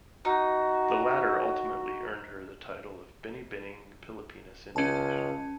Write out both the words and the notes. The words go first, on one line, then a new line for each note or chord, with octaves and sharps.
The latter ultimately earned her the title of Binibining Pilipinas International.
D#4 F#4
C#2 C#4 A5